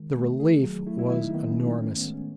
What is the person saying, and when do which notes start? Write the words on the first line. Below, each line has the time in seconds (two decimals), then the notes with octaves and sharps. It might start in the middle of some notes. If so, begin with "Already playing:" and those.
The relief was enormous.
Already playing: D#3 G#3
0.16 A3
0.40 D#3 G#4
0.63 F#3
0.86 A3 E4
0.99 E4
1.10 D#3 E4
1.22 D#4
1.34 D#3 B3
1.50 C#4
1.58 A3
1.66 D#4
1.82 A2 C#4
1.98 B3
2.06 G#3
2.13 C#4